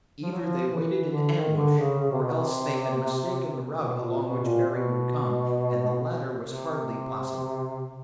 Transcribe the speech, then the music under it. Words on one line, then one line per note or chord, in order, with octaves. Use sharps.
Either they waited in ambush, or else they had mistaken the route along which Barry would come, and the latter was hardly possible.
F3
F#3
F3
E3
D3
D#3
D3
C#3
C#3
C3
B2
C3
B2
A#2
B2
A#2
B2
C3